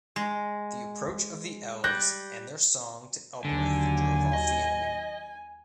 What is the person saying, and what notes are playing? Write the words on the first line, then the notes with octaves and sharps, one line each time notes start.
The approach of the elves and their song to Elbereth drove off the enemy.
G#3
G3 F#6 G6 A#6
D#2 D3 F#3 G#5
D#5